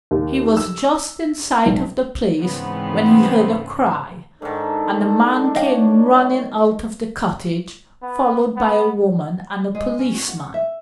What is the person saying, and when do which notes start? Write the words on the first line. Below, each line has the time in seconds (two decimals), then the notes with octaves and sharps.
He was just in sight of the place when he heard a cry, and a man came running out of the cottage, followed by a woman and a policeman.
0.11 D#2
0.57 E6
1.66 B1
2.41 G#2 C#3 E3 B3 C4
4.42 G#2 D#3 D4 A4
5.56 C#5 D#5 F5 G5
8.02 B3
8.57 B3
9.75 G#3
9.99 C#4
10.14 F#4
10.29 F#5
10.54 E5